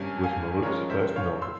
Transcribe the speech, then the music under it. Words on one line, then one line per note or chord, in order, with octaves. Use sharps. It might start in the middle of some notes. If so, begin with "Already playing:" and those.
It was Malouf's first novel.
Already playing: G#1 G2 G3 C#4 G#5
F5 G#5
G2 F3 G#3 C#4 A#4 C#5
C5 E5
C#5 F5
C6 E6